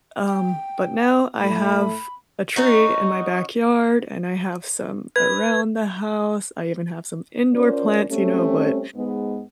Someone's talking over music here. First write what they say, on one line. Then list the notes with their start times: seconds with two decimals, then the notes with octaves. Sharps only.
Um, but now I have a tree in my backyard, and I have some around the house. I even have some indoor plants, you know, but
0.27 G5
1.39 A2 A3 B5
2.56 C#4 D#4 F#4
5.16 B4 G#6
7.54 C#4 F4 A#4 C5 D5
8.10 G3 A3 C4 C#4
8.95 G#2 G#3 B3